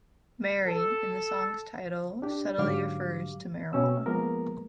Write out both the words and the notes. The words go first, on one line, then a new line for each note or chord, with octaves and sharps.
"Mary" in the song's title subtly refers to marijuana.
A4
D4 G4
G#2 D3 F#3 G4 F5 D6
B2 C#4 G5 E6
F3 G#3 A#3 B3 A#4